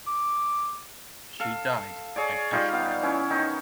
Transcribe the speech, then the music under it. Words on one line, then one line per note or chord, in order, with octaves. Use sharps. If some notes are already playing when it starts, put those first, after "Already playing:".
She died at Eschweiler.
D6
A4 F5
G#4 C#5 D5
G3 D#4 F4
B3 F5
E3 C#4 E4
D#3 D#4